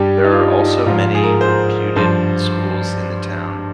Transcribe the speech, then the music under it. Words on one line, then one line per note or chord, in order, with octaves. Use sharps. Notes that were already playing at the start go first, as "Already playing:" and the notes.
There are also many reputed schools in the town.
Already playing: G2 G3 G4
D#4
F4
D#4
G#2 F3 F4
G#4
A#4
C5
G2 F3 C5